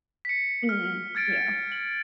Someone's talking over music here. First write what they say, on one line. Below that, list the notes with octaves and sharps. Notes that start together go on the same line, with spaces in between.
Mhm, yeah.
B6 C#7
F6
F6 G#6 A6 D7
F#7